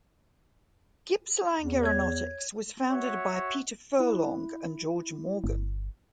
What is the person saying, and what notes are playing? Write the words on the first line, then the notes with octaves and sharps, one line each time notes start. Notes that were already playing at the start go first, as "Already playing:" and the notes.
Gippsland Aeronautics was founded by Peter Furlong and George Morgan.
E2
C#5 G#6
F#4 C#5 E5 F#5
E4
G1